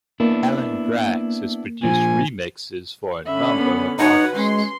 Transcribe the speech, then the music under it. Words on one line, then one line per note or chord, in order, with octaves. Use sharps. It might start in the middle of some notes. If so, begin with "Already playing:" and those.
Alan Braxe has produced remixes for a number of artists.
A#3 B3 D4 E4
A#2 F3 G#5
D3 C#4 E5 B5
B3
D#4 F#4 B4 C#5 F#5
G#3 C#4 C6